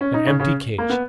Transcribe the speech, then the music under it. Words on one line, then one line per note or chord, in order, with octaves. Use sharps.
An empty cage!
C#4
D#4
C#3 C#4
C#3 C#4
A#3
B3